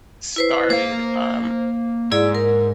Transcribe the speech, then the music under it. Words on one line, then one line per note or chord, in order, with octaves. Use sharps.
started, um,
E4 B4 C5
A#3 C5 F5
G#2 E4 G#4 D5
A#4